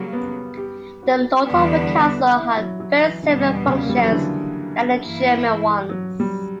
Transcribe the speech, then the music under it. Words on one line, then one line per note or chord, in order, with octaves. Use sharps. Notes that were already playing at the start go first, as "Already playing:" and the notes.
The lord of the castle had very similar functions than the German ones.
Already playing: C#3 F#3 G3 A#3
B3
G4
F#4
E2 D3 G3 B3 D4
E4
F#3
F#3
E3
E2 B2 D3 G3 B3
C#3
A#3
G3
F#3
E3
D3
G2 E3 A#3 E4
F#3
G3